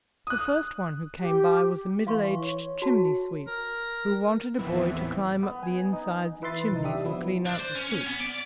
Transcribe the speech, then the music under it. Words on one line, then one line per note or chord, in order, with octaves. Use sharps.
The first one who came by was a middle-aged chimney-sweep, who wanted a boy to climb up the insides of chimneys and clean out the soot.
D#6 F#6
G4
E3 F5 C6 C#6
C#5
F#4 A5
A#4
D#2 A2 E3 B3 C4 E5
B3
G#5
D#4
E3 B4 E5 C6 A6
C2 D#4
D4 G4 E5 D#6
F3 B3 E4
D4
C5
C#4
C#4
B3
D5